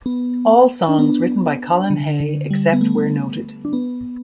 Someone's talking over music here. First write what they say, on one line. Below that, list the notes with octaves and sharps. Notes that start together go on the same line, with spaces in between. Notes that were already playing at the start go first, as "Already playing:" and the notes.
All songs written by Colin Hay, except where noted.
B3
D4
B3
D3
D3
G3
B3
A3
D4
B3